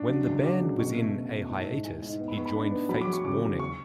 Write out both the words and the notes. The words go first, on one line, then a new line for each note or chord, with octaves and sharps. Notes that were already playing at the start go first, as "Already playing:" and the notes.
When the band was in a hiatus, he joined Fates Warning.
Already playing: D4 C#6
F#3
C#2
F#3 D6
C#3
B2 C#6
A3
A3
A3
G#2 A5
G#2
G#2 G#5
G#2
B3
B5
B3 C#6
B5
D4
B3
F#3 B5
D6
F#3
C#6
C#3 D6
C#3
C#6